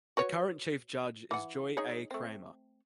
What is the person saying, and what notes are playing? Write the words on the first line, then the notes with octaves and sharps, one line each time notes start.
The current chief judge is Joy A. Kramer.
F#4 B4 C#5
E3 F#5
D#4 G#4 C#5
A3 C4